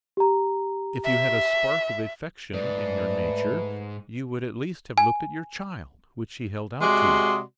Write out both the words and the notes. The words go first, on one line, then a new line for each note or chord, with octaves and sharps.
If you had a spark of affection in your nature, you would at least have looked at your child, which she held out to you.
G4 A#5
E5
G#2 A3 B4 D5
G#5
C3 G#3 F#4 D5 D#5 C6